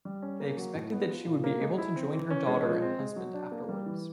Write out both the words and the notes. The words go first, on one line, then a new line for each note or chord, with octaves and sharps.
They expected that she would be able to join her daughter and husband afterwards.
G3
C#4
A#3
F#3
A2
B3
F3
A#2
A#3
G#3
E4
C4
E3
C#4
G#3
F3
C4
G#3
F#3
D4
A#3
G3
E3